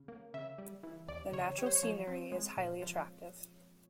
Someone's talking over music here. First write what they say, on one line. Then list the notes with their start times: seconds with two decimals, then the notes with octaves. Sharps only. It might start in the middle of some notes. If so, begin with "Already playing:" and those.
The natural scenery is highly attractive.
Already playing: C#3
0.08 A#3
0.34 C#3 E5
0.58 G3
0.83 E3
1.08 D#2 D5
1.33 C#3 C#5
1.58 G3 C#5
1.66 C5
1.75 C#5
1.83 F3
2.07 C4
2.32 G#3
2.57 A#2
2.82 F3